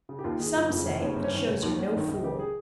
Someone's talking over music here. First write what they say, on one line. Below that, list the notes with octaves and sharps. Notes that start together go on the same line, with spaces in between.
Some say "it shows you're no fool."
C#3
G4
D#2 F4
D#3 G#4
G1 F4
F2 C#3 F4
F1 C#4
D#2 C#3 C#4
G1 C4
C#4
G2 D#3
F1
D#2 D#3
G#1 C#4
G2 D#3 D#4
C#2
C#3 G4
G#4